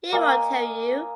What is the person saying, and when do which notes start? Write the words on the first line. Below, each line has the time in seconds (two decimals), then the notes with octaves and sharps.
He won't tell you.
0.12 A#3 D#5 G#5